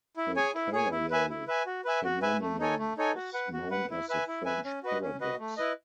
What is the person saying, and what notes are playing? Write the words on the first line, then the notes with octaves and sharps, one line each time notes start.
A parallel phenomenon is known as the French Paradox.
E4
G#4 C#5 G#5
E4
G#4 C#5 G#5
E4
B4 E5 G#5
E4
B4 E5 G#5
F#4
B4 E5 G#5
F#4
B4 E5 G#5
A3
D#4 A4 C#5 G#5
A3
D#4 A4 C#5 G#5
F#4
B4 F#5
F#4
B4 F#5
E4
B4 E5 G#5
E4
B4 E5 G#5
C#4
F#4 B4 D#5
C#4
F#4 B4 D#5
A3
E4 B4 D#5